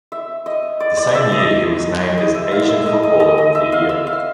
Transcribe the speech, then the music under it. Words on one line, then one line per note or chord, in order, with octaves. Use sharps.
The same year he was named as Asian Footballer of the Year.
E5
D#5
D5
D5
E5
D#5
D#5
E5
F5
D#5
E5
D#5
D#5
D#5
D#5
E5
F5
E5
F5